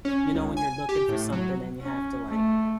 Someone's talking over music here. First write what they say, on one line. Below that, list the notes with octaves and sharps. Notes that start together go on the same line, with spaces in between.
you know, when you're looking for something and you have to like
C#4
C#2
G#5
G4
A2
F#3
C#4
A3